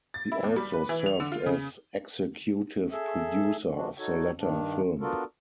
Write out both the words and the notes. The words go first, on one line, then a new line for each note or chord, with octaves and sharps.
He also served as executive producer of the latter film.
A6
E4
E2
G3
B4
E3
F7
D3
F4
C#3
G#4 A4 E5
F3 G#3 D4 F#4
D#4 F#4 A4 C#5
G2 D#3 D4
B3 D4 F4 F#4 A4 A#4